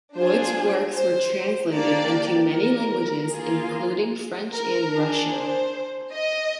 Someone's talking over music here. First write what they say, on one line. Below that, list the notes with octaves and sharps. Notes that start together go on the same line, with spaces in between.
Wood's works were translated into many languages, including French and Russian.
D4 F4 G#4 C5
C5
A#3 D4 G4 D5
A#4
A#3 F4 G#4
A#4
D4 G#4
C5
D#5